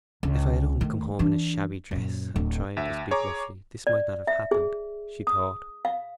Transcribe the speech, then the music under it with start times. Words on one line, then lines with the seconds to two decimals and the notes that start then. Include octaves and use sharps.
"If I had only come home in a shabby dress, and tried to speak roughly, this might not have happened," she thought.
0.23 C#2
0.81 D#3 A3
1.19 E3 D4
1.91 F#2 A#2
2.36 D1
2.77 D2 E5
3.11 G#4 C#5 A#5 D6
3.87 D5
4.27 E5
4.51 G#4
5.27 D#6
5.85 F5